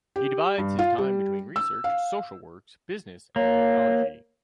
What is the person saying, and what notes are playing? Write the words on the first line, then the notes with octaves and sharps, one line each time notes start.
He divides his time between research, social works, business and technology.
G4
G2
F4
G3
E6
F5
A#3 C#5